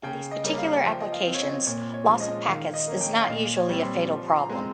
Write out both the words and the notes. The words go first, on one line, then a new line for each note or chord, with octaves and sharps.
In these particular applications, loss of packets is not usually a fatal problem.
C#3 G5
D#5
G3 A#3 C#4
F5
F3 G5
D#5
F5
C4
C#5
D#5
A#2 C#5
C#5
F3 G#3 C#4
D#5
D#3 F5
D#5
A#3 C#4
G5
F5
A#2 D#5
C#5
G3 C4
C6
F3
C6
A#5
G#3 C4